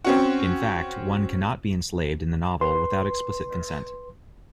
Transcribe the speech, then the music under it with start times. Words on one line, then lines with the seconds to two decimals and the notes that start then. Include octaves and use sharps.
In fact, one cannot be enslaved in the novel, without explicit consent.
0.04 C4 C#4 F#4
2.61 B4 C6